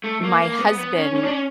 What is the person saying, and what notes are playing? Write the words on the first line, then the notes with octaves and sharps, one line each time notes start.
my husband
A3
A#3
A#3
B3
B3
C#4
C#4
D4
C#4